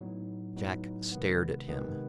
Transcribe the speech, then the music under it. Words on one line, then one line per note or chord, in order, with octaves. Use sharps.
Jack stared at him.
A2 F#3 B3 D#4
A2 F#3 B3 D#4
C3 D#3 G#3 B3
C3 D#3 G#3 B3